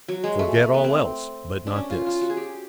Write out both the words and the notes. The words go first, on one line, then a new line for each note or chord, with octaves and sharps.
Forget all else, but not this.
F#3
G#3
A3
A3
B3
C4
D4
C#4
F4
F4
F#4
G#4
G4